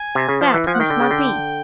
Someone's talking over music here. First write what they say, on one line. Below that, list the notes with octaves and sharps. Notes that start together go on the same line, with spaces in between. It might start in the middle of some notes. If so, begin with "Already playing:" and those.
That must not be.
Already playing: G#5
C3
C#3
F3 A5
E3
F3 G#5
F#5
D#3 G5
D3
C#3
D3